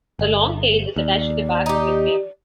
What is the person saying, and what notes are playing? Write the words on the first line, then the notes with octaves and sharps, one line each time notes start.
A long tail is attached to the back of the frame.
G1
D#2 D5
D#4 G4